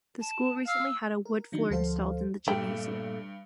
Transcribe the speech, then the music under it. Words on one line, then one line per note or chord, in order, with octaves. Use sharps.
The school recently had a wood floor installed in the gymnasium.
A5
F5 E6
A#4
D#3 F#3 D4 D#4
D2 F3 A4 C5 F5
G2 A#2 G3 A3 G5